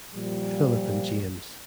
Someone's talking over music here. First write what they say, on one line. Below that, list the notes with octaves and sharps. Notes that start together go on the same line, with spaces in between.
Philip and James.
A#2 F3 G3